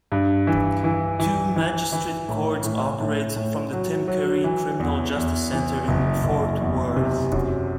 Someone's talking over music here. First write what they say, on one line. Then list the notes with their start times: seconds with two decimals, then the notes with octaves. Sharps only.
Two Magistrate Courts operate from the Tim Curry Criminal Justice Center in Fort Worth.
0.12 G2
0.47 E3
0.84 E3
1.20 E3
1.56 E3
1.93 E3
2.29 A2
2.63 A2
3.00 A2
3.36 A2
3.73 F#3
4.08 F#3
4.44 E3
4.80 E2
5.17 E2
5.53 E3
5.88 F#1
6.24 F#1
6.61 E2
6.96 C3
7.32 F#2